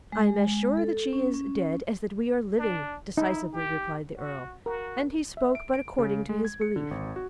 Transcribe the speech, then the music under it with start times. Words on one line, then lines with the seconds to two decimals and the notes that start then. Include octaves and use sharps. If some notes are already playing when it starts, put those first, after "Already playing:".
"I am as sure that she is dead as that we are living," decisively replied the earl: and he spoke but according to his belief.
0.12 G#3
0.77 A4
1.13 C#4
1.34 C#4
2.59 D4
3.17 D#4 E4
3.53 G4
4.17 F#4
4.66 F#4 A#4
5.37 E5
5.55 D7
5.74 D7
5.98 C#3
6.29 G#3
6.45 G#6
6.61 C#7
6.76 D3
6.91 G#1
7.16 F#4